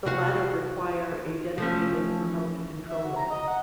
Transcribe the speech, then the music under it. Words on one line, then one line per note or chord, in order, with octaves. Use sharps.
The latter require a dedicated remote controller.
C3 F#4 F5
F3 A3 C#4
E5
F#4
A#5
D#5
F#5